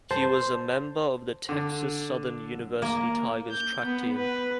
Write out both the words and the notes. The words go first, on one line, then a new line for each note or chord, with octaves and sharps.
He was a member of the Texas Southern University Tigers track team.
C5 A5
D3
A#3
G6
B3
B4